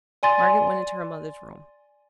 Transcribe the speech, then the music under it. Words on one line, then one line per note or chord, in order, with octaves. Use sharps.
Margaret went into her mother's room.
D5 G#5 C6 A6